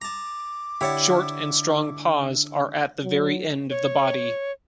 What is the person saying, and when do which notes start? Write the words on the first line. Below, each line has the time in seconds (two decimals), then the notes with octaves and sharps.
Short and strong paws are at the very end of the body.
0.02 A5 A#5 D6
0.81 D3 E4 G4 C#5 F#5 A5
3.04 F#3
3.70 C#5